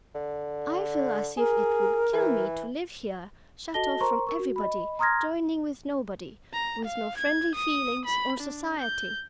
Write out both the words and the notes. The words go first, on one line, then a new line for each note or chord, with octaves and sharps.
I feel as if it would kill me to live here, shut off from everybody--joining with nobody--with no friendly feelings or society.
D3
G#4 A#4
E3
F#4 A4 D#5 A5 A#6 G7
A#4 C5 A#5 C6 C#6
A#4 C#6
F#4
D#5 B5
A#5 C6 D#6 F6 G#6 A#6
A#5
F5
G#6
D#6
B5
D4
G6